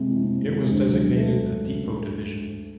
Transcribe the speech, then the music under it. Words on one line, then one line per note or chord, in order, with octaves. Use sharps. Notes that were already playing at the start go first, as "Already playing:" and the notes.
It was designated a depot division.
Already playing: C3 G#3
E3
C3
C3
G#3
D2
F#3
D3
A3